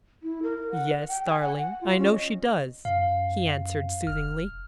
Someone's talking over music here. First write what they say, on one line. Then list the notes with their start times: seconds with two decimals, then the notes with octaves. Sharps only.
"Yes, darling, I know she does," he answered soothingly.
0.23 E4
0.43 A#4
0.72 F#5
1.08 G5
1.26 G#5
1.42 F#5
1.56 F#5
1.81 F4
1.98 C#4
2.11 D#5
2.85 F#2 F5
4.07 F1 F6